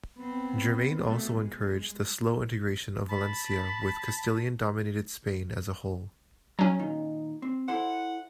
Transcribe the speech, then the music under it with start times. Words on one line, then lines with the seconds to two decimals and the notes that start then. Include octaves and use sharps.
Germaine also encouraged the slow integration of Valencia with Castilian-dominated Spain as a whole.
0.18 B3 C4
1.05 B2 A3
1.36 G#3
3.09 A5 B5
6.59 F#3 C#4 A#5
6.79 A#2 D#3 D#4
7.42 C4
7.68 E4 A4 C5 F#5